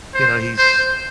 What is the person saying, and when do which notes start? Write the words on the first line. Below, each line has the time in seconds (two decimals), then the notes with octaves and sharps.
you know, he's,
0.14 C5
0.58 C5